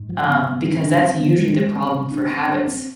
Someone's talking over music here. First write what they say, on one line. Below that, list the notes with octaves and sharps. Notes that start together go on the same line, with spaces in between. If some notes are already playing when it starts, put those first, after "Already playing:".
Um, because that's usually the problem for habits,
Already playing: G#2
F3
B3
B3
C4
D4
C4
B3
G#3
G#3
C4
C4
D4
C4
D4
C4